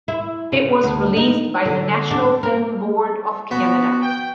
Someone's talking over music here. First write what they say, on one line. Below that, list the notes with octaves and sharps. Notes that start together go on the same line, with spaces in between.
It was released by the National Film Board of Canada.
E4
C#3
D2
D#4
D3
D4
A#4
B3 F#4
G5